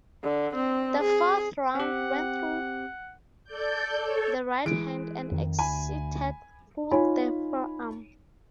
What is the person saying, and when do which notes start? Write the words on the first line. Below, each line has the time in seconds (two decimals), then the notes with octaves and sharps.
The fourth round went though the right hand and exited through the forearm.
0.24 D3
0.55 C4
1.01 G#4
1.75 C4 G4 F#5
3.44 A4 D5 G6
3.99 A4 C#5
4.65 E3 G#3 D7
5.31 F2 D#3
5.59 D2 G#5 B5
6.91 D#4 F4 C#5 G#5 B5